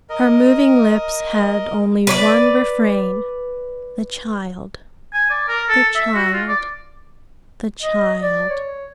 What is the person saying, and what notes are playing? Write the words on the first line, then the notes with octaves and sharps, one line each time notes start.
Her moving lips had only one refrain: "The child, the child, the child."
A#4 D#5
B4 C#5 D5
G#5
D5
A#4
A4
E5
F#4
F4
D5
D#5
D5
C#5